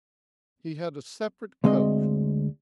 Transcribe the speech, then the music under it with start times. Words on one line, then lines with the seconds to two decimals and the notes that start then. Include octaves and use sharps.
He had a separate coach.
1.64 D2 G#3 C4 D#5